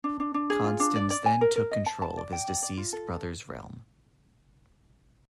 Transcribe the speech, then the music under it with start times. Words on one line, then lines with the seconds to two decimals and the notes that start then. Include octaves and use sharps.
Constans then took control of his deceased brother's realm.
0.04 D4
0.20 D4
0.34 D4
0.50 G#4
0.64 F4
0.80 D4
0.96 D5
1.10 D5
1.26 G#5
1.41 A#4
1.56 A#4
1.71 D#5
1.86 A5
2.02 A5
2.17 D5
2.33 G5
2.48 D5
2.63 D5
2.77 F4
2.93 A4